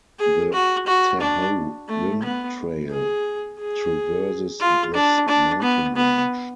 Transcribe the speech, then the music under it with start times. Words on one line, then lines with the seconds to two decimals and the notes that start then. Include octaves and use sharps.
The Tahoe Rim Trail traverses this mountain range.
0.19 G#4
0.53 F#4
0.87 F#4
1.21 D4
1.89 A3
2.23 B3
2.90 G#4
3.58 G#4
4.60 F4
4.94 D4
5.28 D4
5.62 B3
5.96 B3